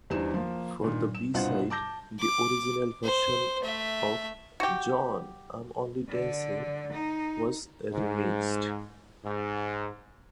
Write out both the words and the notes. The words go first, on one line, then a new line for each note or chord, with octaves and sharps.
For the B-side, the original version of "John, I'm Only Dancing" was remixed.
E2 G3 D4 D#4 C5 E7
F3 A#3
G2 A#2 D#3
E7
C2 G2 B2 F4 C5 F#5
A5 D6 G6 A#6
D6
C5
A3 E5
F#4 G4
D3
D#4
G#2
G#2